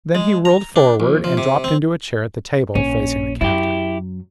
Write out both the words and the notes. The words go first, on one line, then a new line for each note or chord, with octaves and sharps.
Then he rolled forward, and dropped into a chair at the table, facing the Captain.
G#3
A#5
D4
A#1
F3
C3
C4
A#1 C#4
F#2 F#3 E4 G4